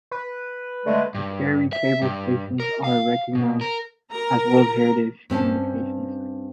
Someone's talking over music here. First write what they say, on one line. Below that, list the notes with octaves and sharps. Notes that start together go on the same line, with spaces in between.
The Kerry cable stations are recognised as World Heritage Communications Sites.
B4
D3 G#3 A3
G2
E5
G2
A#4
F5
B2
A#4
A#4 A#5
G2 C4 C#4 A5